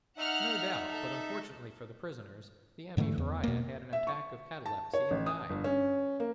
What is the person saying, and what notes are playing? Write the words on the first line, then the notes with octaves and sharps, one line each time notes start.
"No doubt; but unfortunately for the prisoners, the Abbe Faria had an attack of catalepsy, and died."
D#4 E5 F#5 F6
A4
G#2 D3 E3 A3
E2
B2 A#3
E5
C#6
A5
C#5
A1
D#6
G1
C#4
A#3